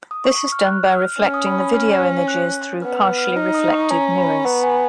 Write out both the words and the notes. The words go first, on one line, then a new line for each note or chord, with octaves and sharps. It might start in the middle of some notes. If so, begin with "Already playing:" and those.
This is done by reflecting the video images through partially reflective mirrors.
D#6
C#6
C#6
F6
F#6
F6
C#4 F6
D#6
B5
B5
F6
F#6
B3 F6
F6
F6
D#4 F6
D#6
C#6
C#4 A#5
A#5
B5
C#6
B3 A#5
G#5